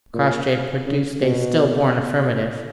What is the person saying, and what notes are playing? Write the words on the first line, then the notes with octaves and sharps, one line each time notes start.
Crossjay produced a still-born affirmative.
A#2
C#3
B2